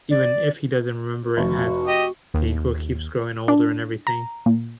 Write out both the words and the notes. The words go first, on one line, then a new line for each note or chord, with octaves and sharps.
even if he doesn't remember it as he gro keeps growing older and everything,
D5
F1 F#4
G4 D#5
D#2
D4
A#5
A#2